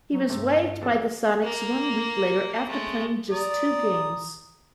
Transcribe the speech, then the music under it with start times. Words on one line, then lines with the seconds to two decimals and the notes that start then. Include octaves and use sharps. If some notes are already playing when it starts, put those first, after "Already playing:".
He was waived by the Sonics one week later after playing just two games.
0.13 F#3
0.29 G2 C3 A3
0.82 E2 D4 A4
1.42 A#3
2.68 G#3 A3
3.31 D5 A#5 D#6